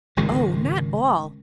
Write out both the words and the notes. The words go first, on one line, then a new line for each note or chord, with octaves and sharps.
'Oh, not all!
G#1 C#2 C3 D#3